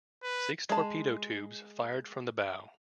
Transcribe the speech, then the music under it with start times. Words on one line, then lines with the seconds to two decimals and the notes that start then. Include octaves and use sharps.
Six torpedo tubes fired from the bow.
0.23 B4
0.69 G#3 A5